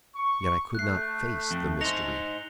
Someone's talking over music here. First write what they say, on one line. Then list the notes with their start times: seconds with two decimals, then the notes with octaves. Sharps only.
Yet I could not face the mystery.
0.15 C#6
0.75 A3 F#6 C7
1.51 F2
1.81 D#4 C5 A#6 C#7 F7